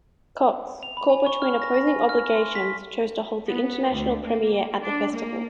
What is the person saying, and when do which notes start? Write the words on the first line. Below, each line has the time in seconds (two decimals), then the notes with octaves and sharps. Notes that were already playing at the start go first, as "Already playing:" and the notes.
Cox, caught between opposing obligations, chose to hold the international premiere at the festival.
0.83 F7
0.97 B5
1.10 G#5
1.26 C#6
1.42 F6
1.62 A#6
1.74 A#6
1.87 G#5
2.09 F6
2.36 C6
2.55 B6
3.48 B3
3.94 D2
4.26 A#3
4.82 D4
5.13 A#3